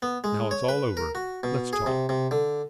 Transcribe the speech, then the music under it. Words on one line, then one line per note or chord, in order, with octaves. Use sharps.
"Now it's all over, let's talk."
B3
G#3
C#5
B4
A#4
F#4
B2
G#4
C3
C3
D3